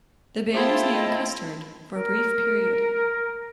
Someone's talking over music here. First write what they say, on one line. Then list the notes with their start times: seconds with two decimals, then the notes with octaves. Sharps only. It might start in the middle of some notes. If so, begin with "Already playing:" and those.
The band was named Custerd for a brief period.
0.53 E4 F4 G#4 C5 E5 G5 A5
0.94 D#5
1.96 A#4